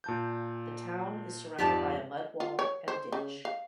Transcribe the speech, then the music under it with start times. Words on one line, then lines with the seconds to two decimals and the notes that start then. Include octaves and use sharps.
The town is surrounded by a mud wall and ditch.
0.04 A#2 A5 G6
1.58 F2 G#2 F3 G4 D5 A5
2.40 F4
2.59 C#5
2.88 C5
3.12 C#3
3.45 F5